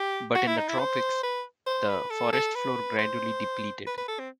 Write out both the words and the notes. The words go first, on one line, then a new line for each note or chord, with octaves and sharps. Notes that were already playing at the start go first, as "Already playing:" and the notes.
But in the tropics the forest floor gradually depleted.
Already playing: G4
F#4
E4
D#4
E4
C5
B4
C5
B4
A4
A4
B4
C5
B4
B4
A4
C4